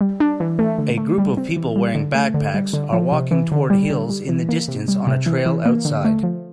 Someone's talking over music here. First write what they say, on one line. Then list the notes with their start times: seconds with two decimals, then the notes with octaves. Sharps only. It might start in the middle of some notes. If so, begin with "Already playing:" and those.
A group of people wearing backpacks are walking toward hills in the distance on a trail outside.
0.01 G3
0.20 D4
0.40 E3
0.59 A3
0.78 D3
0.97 A3
1.18 G3
1.37 C4
1.57 E3
1.76 G3
1.95 D3
2.14 A3
2.34 D3
2.54 G3
2.73 D3
2.93 F3
3.12 C3
3.31 E3
3.52 D3
3.70 G3
3.90 D3
4.09 G3
4.29 E3
4.49 A#3
4.68 C3
4.88 G3
5.07 C3
5.26 E3
5.46 E3
5.66 A#3
5.85 D3
6.05 A3
6.23 F3